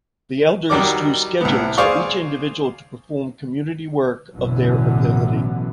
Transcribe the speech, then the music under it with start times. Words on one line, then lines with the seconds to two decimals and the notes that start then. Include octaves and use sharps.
The elders draw schedules for each individual to perform community work of their ability.
0.70 D#3 F#3 G3 D5 D6
1.41 C2 A2 B3
1.78 G#4 C5 D5 F5 C#6
4.35 A1 F#2 B2 D3 E3 F#3